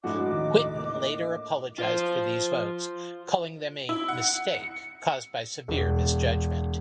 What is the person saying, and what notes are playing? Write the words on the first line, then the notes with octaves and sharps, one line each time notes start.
Whitten later apologized for these votes, calling them a "mistake" caused by severe misjudgment.
A2 F3 G#3 D4 E4 F#4 D#5 D6
D#2 A#2
A#3
F4 C5
E4
F#5
C#7
E1